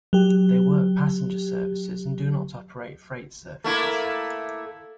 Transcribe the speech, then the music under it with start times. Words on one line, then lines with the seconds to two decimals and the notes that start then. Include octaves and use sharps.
They work passenger services and do not operate freight services.
0.13 F#3 G4
3.64 A3 A#3 E4